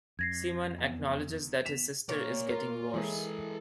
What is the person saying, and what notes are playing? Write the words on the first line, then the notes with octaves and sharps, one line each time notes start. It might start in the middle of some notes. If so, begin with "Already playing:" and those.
Simon acknowledges that his sister is getting worse.
F2 G#6 A#6 C7
E2
E2 B6 E7 F7
A#2 A#3 C#5
F4 A#4
E3 G#3 E4 A4 G#5